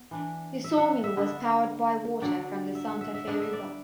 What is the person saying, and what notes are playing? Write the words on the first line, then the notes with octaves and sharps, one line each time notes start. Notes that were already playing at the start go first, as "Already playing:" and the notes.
The sawmill was powered by water from the Santa Fe River.
Already playing: B3
E3 D4
E5
F#5
E5
D3 B3 D4 E5
D3 F#3 D4 D5
E5
F#5
E5
E5
D3 B3 D4 D5
E5
D5